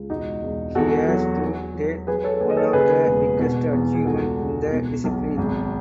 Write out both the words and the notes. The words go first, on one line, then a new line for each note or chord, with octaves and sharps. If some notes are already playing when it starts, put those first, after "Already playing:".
He has to date one of the biggest achievements in the discipline.
Already playing: C#2
E1 D#4 F#4
E1
E2 F#4 A4
F#3
F#3
F#3
F#3 G#4 B4
A4 C#5
D#2 G#4 B4
D#5
A4 C#5
C#3 G#4 B4
E1
B2
E2
G#4
C#2 F#4 A4
C#2
B2
B1
G#1